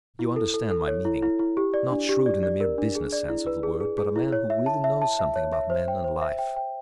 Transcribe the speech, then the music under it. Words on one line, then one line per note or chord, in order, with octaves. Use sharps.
You understand my meaning; not shrewd in the mere business sense of the word, but a man who really knows something about men and life.
E4
A4
A4
A4
C#5
E4
E4
E4
G4
D5
D4
G4
D5
D5
A#4
D4
G#4
D5
E4
B4
G#4
G#4
G#4
E4
C#5
E5
A5
E5
A5
E5
C#5
E5
C5
G5
C5
E5
G5
G5